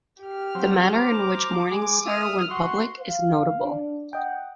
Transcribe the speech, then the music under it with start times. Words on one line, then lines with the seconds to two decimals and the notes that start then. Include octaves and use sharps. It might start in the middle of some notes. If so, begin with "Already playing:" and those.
The manner in which Morningstar went public is notable.
0.22 G4 F6
0.55 F#3 C4
0.94 C5 A#5 D6 F6
1.71 G#3
2.06 E5 D#6 F6
2.51 F#4 C6 C#6
3.02 F5
3.65 D4
4.13 D#5 F#5 G5